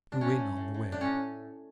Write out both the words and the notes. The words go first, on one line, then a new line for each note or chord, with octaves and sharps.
It drew in on the web.
D4
A2 C#4
A2
A2
A2
A2 D4
C#4